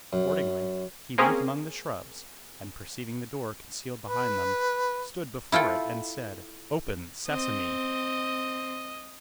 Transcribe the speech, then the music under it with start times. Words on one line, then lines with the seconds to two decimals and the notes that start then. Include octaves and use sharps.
Accordingly, he went among the shrubs, and perceiving the door concealed behind them, stood before it and said, "Open, Sesame!"
0.13 F#2
1.18 A#3 C4 C#4 G#4 A#4
4.04 B4
5.52 E4 F4 A4 G5
7.29 C4 D#5